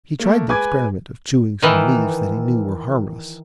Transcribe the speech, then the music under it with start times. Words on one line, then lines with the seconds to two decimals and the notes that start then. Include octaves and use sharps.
He tried the experiment of chewing some leaves that he knew were harmless.
0.20 A3 A#3
0.48 G#3 B4 G#5 D6 G#6
1.62 D#3 E3